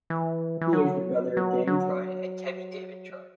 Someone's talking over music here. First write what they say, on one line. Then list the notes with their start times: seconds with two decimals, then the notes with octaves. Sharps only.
He is the brother of Dan Troy and Tevi David Troy.
0.10 E3
0.61 E3
0.73 F#3
1.37 F#3
1.67 F#3